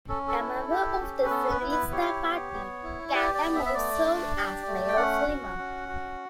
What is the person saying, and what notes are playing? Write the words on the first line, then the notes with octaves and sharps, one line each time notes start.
A member of the Civilista Party, Candamo served as mayor of Lima.
C#4 A4
A4
E4
G4
C#4
B4
B3 A4
B4
E4
B4
G4 C#5
B3
B3
E4
C#5
G4 D5
D5
B3
E5
E5
A3 D5
D4
G4
A3
G5
C#4 F#5
F#4
C#4
F#4